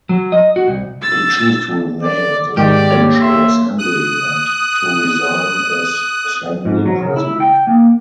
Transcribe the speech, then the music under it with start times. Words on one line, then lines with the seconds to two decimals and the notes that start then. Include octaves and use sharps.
He chose to remain in the provincial assembly and to resign as assembly president.
0.09 F#3
0.32 D#5
0.56 F#4
0.68 C2
1.02 E6 A6
2.03 D5
2.57 G#2 D#3 G4 D5
2.91 A#3 C#5
3.22 E5 C6
3.79 D#6 F#6
6.65 G#2
6.86 F#3
7.01 C#3
7.16 E4
7.40 G5
7.67 A#3